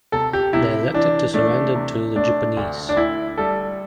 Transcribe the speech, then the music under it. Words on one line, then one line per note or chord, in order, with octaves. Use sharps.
They elected to surrender to the Japanese.
C3 A4
G4
C3 E4
E3 D4
A3 D4
C3
A3 D4
D2
D4
D2 E4
G3 A4